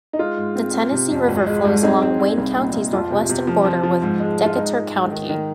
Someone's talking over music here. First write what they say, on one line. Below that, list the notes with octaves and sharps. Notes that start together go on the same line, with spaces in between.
The Tennessee River flows along Wayne County's northwestern border with Decatur County.
D#4
G#3 F4
G#2
C4
C4
C3
F2
G#1
G#3
G#2
C4 D#4 G#4
C4
C4
C2
A#2
C2
F2 F4
C3
C3
F3
F3
F3
G#2
G#3
G#3
F4
G#2 D#4
G#3
G#2
D#3
D#3